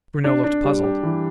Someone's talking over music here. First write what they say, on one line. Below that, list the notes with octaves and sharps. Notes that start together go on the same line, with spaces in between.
Bruno looked puzzled.
D4
D4
G3
G4
E3